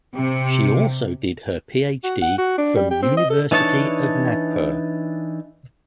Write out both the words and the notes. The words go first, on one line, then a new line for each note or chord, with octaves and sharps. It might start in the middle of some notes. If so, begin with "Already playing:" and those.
She also did her PhD from University of Nagpur.
C3
F#4
F#5
F#4
D4
G3
G4
C4
D#5
A4
E3 D4 D#4 C#5 A5